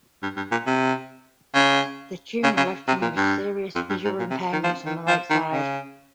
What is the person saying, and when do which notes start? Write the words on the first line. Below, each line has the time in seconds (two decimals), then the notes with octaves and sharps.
The tumor left him with serious visual impairments on the right side.
0.23 G2
0.37 G2
0.51 A#2
0.67 C3
1.54 C#3
2.44 C#3
2.57 C#3
2.88 C3
3.02 A#2
3.17 G2
3.75 F2
3.90 G2
4.05 G#2
4.19 A#2
4.30 C3
4.53 D#3
4.64 F3
4.86 D#3
5.08 F3
5.30 D#3
5.52 C#3